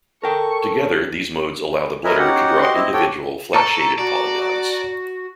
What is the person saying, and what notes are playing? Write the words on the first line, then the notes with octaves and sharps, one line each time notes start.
Together, these modes allow the blitter to draw individual flat-shaded polygons.
A4 A#4 G5 C#6
A#4 B4 C#5 D#5 E5 G#5
C#4 D#4 F#4 G4 F#5
F#4 G4 D#5 C6
C4 E4 D#5
F#4 G4 A4 C#5 G5
A4 A5 A#5 C#6
F#4 D5